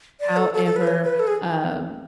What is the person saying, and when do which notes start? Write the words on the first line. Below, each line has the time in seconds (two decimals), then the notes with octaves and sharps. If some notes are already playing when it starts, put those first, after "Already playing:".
However, um,
0.20 D5
0.36 A4
0.54 A4
0.65 A4
0.76 B4
0.87 C#5
1.03 B4
1.19 A4
1.27 G#4